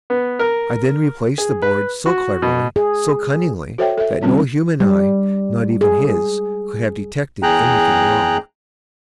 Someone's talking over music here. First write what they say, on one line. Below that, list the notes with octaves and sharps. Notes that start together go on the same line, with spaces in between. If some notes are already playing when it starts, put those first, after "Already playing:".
I then replaced the boards so cleverly, so cunningly, that no human eye--not even his--could have detected any thing wrong.
B3
A#4
G#4
B4
F#4
B2
G#4
F#4 A4 C5 C#5 E5 G5
A4 E5
D3 G3 C4 C#4 F4 C#5
G3
G#4
E2 G#4 G5 A#5 F#6